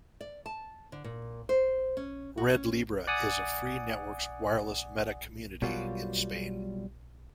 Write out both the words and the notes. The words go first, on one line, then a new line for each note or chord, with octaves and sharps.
RedLibre is a free networks wireless meta community in Spain.
D5
A5
D3
A#2
C5
C#4
F#4
C#4
D5 F#5 G#5 D#6
B2 F#3 G3 A#3 F4 F#4